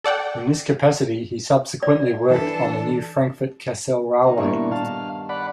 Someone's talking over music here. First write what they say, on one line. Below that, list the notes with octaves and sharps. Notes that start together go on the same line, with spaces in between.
In this capacity he subsequently worked on the new Frankfurt - Kassel railway.
A4 D5 F#5 G5
D5
E3 D4 A4 B4
A#2 D#3 D#4
G2 A#2 B3 D4 E4 C#6
F5 A5
D5 F#5 B5